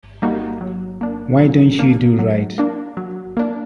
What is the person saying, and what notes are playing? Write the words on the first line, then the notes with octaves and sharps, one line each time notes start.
Why Don't You Do Right?
G3 A#3 D#4 F#4
F#3
A#3 D4
F#3
A#3 D4
F#3
A#3 D4
F#3
A#3 D4